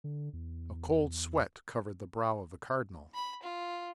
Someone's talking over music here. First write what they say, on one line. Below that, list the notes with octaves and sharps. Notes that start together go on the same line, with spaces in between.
A cold sweat covered the brow of the cardinal.
D3
E2
B5
F4